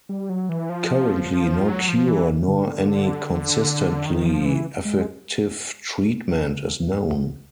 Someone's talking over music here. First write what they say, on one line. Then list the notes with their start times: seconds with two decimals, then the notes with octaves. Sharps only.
Currently no cure nor any consistently effective treatment is known.
0.09 G3
0.29 F#3
0.49 E3
0.69 F3
1.68 F#3
1.89 F3
2.08 E3
2.48 D3
4.06 D#3
4.26 F3
4.46 E3
4.85 G#3